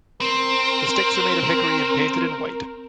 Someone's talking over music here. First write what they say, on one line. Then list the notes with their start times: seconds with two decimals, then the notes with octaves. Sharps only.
The sticks are made of hickory and painted in white.
0.21 C4 A#4